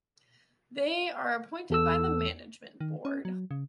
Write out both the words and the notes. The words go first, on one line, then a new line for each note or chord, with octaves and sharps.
They are appointed by the Management Board.
E2 A4 E6
D#3
C#4
F#3
C#3